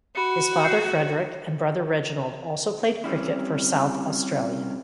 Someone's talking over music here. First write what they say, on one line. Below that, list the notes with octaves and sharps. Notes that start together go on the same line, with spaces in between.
His father Frederick and brother Reginald also played cricket for South Australia.
F#4 B5 C#7
G6 C7 C#7
G3 C4 C#4 E4